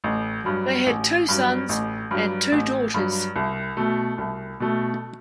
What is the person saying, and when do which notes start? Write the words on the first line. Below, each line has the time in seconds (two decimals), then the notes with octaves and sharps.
They had two sons and two daughters.
0.04 A1
0.44 G2 F#3
0.86 A1
1.28 G2 F#3
1.69 A1
2.11 G2 F#3
2.52 A1
2.94 G2 F#3
3.36 C2
3.77 B2 A3
4.18 C2
4.60 B2 A3